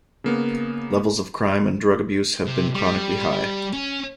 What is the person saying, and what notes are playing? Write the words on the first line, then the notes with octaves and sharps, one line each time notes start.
Levels of crime and drug abuse have been chronically high.
C#3 A#3 B3
C3
G3
C#4